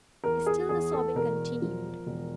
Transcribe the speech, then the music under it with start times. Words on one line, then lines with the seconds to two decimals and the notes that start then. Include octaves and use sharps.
Still the sobbing continued.
0.24 E2 A#4
0.46 G#4
0.69 E2 G#4
0.93 A4
1.15 E1 A#4
1.62 F3
2.07 E1